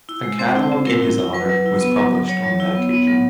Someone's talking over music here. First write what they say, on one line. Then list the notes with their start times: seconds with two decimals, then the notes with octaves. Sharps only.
A catalog in his honor was published on that occasion.
0.09 E4
0.23 G#3
0.39 C4 C5
0.56 E4
0.63 C5
0.72 C4
0.86 E4 A#4
1.02 E4
1.18 E4
1.33 F#3 B4
1.49 F#3
1.66 E4
1.81 B3
1.97 F#3
2.13 F#3
2.28 F#3 C#5
2.44 F#3
2.60 E4
2.75 B3
2.91 B3
3.07 F#3